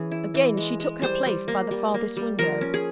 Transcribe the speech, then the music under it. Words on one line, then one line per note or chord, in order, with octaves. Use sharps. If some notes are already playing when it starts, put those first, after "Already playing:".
Again she took her place by the farthest window.
Already playing: E3 C#4 G#4
E4
E3
G#3
G#3
G3 C5
G3
A#3
G3
A#3
G3
F3 A#4
C#4
G#4